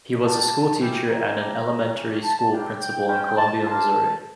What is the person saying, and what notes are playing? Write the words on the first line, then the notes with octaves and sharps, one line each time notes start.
He was a school teacher and an elementary school principal in Columbia, Missouri.
A#3 D4 G4 A5
C#4 E4 G4 G5
A#5
G3 D4 G4
A#3 C#4 G4
A5
G3 A#3 D4 G4 G5
G5
C#4 F4 G5
A5
A#3 D4 F4 A5